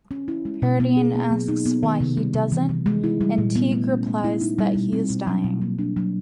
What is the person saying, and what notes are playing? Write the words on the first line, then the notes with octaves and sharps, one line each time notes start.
Paradine asks why he doesn't, and Teague replies that he is dying.
C#4
E4
G#3
B2
B3
G#4
A#3
F#3
D#4
B3
D#3
C3
G3
C3
E3
C3
G#3
E4
G3
A#2
B3
A3
C#4
A3
E4
D#4
G3
B2
C4
B2
F#3
B2
A#3
D4
F#3